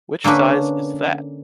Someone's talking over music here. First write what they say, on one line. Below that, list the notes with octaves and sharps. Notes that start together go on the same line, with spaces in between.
Which size is that?
D3 A#3 C#4 D4 B4